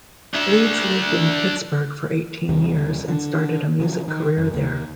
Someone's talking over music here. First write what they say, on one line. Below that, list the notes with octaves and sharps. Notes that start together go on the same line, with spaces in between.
Leeds lived in Pittsburgh for eighteen years and started a music career there.
D4 E5
D#2 C3 E3 G3
D3 D4
C#3 F3 F#3
D#3
F#2
D#2